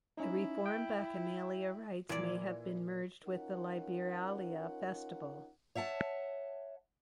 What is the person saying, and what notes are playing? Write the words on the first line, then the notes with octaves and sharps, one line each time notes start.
The reformed Bacchanalia rites may have been merged with the Liberalia festival.
C#4 D#4 E4
G5
A#2 E3 D5 G#6
C#4 D#4 F4 A#4 F#5
C#5 E5 F#5 A5